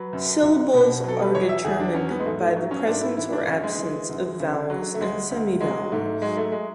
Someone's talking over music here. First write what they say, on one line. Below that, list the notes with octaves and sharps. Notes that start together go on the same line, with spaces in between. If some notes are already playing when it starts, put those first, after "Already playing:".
Syllables are determined by the presence or absence of vowels and semi-vowels.
Already playing: F#3 B4
F#2
F#2
B2
F#3 A4
B4
E2 C#5
E5
E2 G#4
D4
F#3 C#4
B3
G#3
G#2 A3
A3
F#3
C#4
G#2 D4
E4
E3 E4
D4
F#2 C#4
G#3
E3
F#2
C#3
F#3
A3
D2 G#3
D2
F#3 G#3
G#2 A3
F#3 G#3
A3
G#3